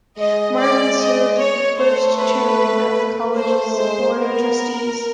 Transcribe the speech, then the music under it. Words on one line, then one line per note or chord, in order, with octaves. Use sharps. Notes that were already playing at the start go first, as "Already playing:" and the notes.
Marvin served as the first chairman of the college's Board of Trustees.
G#3 D#5
D5
D#5
C#5
A3 C5
B4
A3 C5
G#3 C5
B3 A#4